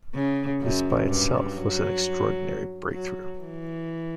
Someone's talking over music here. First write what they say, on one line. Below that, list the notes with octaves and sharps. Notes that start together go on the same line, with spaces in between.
This by itself was an extraordinary breakthrough.
C#3
F#2
G2
F#3
F#3
E3